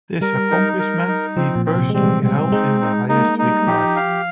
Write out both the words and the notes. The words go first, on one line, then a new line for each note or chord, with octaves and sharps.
This accomplishment he personally held in the highest regard.
G3 A#4
D#4
A#4
D#4
F3 C4
A#2
C4
C3
G#3
G3 C4
C4
G#3 D#4
D#4
A#3 D#4
G#3
D#4
G3
F3 G4
F5